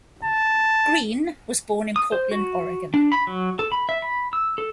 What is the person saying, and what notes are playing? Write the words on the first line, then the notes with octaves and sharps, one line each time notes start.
Green was born in Portland, Oregon.
A5
D#6
C5
F#4
D4
B5
F#3
A4
B5
E5
B5
E6
A4